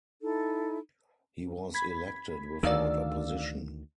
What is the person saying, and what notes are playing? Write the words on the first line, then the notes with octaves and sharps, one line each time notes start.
He was elected without opposition.
D#4 E4 A4
B5 G#6 B6
D2 D#3 D5 F5 E6